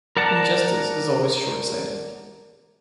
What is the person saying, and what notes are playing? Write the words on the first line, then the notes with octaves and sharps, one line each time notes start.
Injustice is always short-sighted.
A#4 D5 F#5 A5 A#5